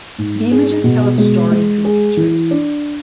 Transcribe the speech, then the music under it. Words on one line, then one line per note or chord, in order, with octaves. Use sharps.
The images tell a story through pictures.
G#2
G#4
B2
G#3
G#3
G#4
E3
D4